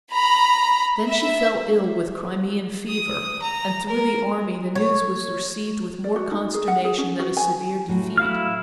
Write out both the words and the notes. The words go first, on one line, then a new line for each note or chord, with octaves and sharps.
Then she fell ill with Crimean fever, and through the army the news was received with more consternation than a severe defeat.
A#5 B5
E5
D#6
A#5
A#4
C#5
D5
F#4
D#4
G#4
F#5
G#4
C#4
F#4
G#5
A2 F#3
E4 F5 F6